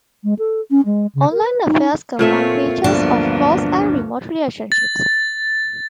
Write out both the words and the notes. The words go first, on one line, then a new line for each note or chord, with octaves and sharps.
Online affairs combine features of close and remote relationships.
G#3
A4
C#4
G#3
C#3
A#4
B4
D#4
A#2 A3 C4 F4 C#5 E5
D1 G2 D3 F3 A#3 B3 D4
A6